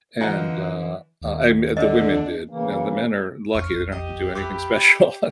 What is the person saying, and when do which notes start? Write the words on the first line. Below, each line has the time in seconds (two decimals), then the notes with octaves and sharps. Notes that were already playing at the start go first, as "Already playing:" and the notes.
And, uh, uh, I men the women did, now the men are lucky, they don't have to do anything special
0.20 D3 E3 D#4 F4 F#5
1.22 D#2
1.77 D3 D4 D#5
2.50 C#3 E3 A#3
3.55 E1 A#1 F2 F4 C#6
3.92 G4 D#5
4.35 B3 E4 D6